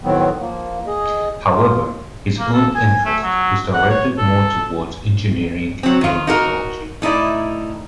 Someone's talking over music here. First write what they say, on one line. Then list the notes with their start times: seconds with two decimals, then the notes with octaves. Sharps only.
However, his own interest was directed more towards engineering and technology.
0.04 A2 D#3 F#3 B3 C4
0.40 F3 A#3
0.87 G#4 D#5
1.53 F4
2.39 A#3
2.53 A4
2.75 G#5
3.05 A3
3.23 F#3
3.74 F#5
3.90 C#5
4.18 A4
5.83 F#3 C4
6.01 D#3 F4
6.27 D#4 F#4 A#4
7.02 A2 D#4 E4 D5